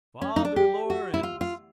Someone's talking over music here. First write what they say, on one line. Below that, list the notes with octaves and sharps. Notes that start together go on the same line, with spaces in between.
'Father Laurence!
C#4
D#4
D4
G4
F#4
E4
F4
F4